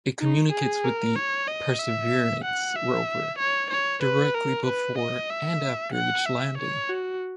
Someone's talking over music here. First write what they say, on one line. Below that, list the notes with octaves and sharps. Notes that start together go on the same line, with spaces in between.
It communicates with the "Perseverance" rover directly before and after each landing.
D#4
G#4
A#4
C#5
D#5
E5
F#5
E5
C#5
C#5
B4
A#4
B4
D#5
E5
F#5
E5
C#5
F#4